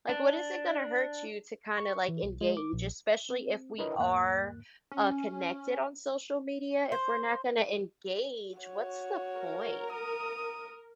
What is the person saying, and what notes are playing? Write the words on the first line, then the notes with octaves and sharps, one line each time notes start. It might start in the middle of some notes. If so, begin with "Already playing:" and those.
like, what is it gonna hurt you to kinda, like, engage, especially if we are, uh, connected on social media. If we're not gonna engage, what's the point?
D4
C#6
E3
B1
G#3
D6
A#1
C4
D4 E4 A#4 B4 C#5 D#5
E2 G#2 A#3 F#6
C#4
C5
F#4 C#5
A#4
D#6